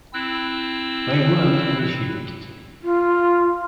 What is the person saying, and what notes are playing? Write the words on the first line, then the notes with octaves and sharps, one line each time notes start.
They weren't initiated.
C4 E4 E6 F#6
F4